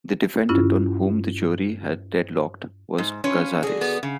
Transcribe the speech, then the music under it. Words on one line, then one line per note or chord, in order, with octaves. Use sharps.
The defendant on whom the jury had deadlocked was Cazares.
G2 C#4 E4 F4
G#2
C#4 F4 B4 C#5
D3 F#4 G#4
B3
C#3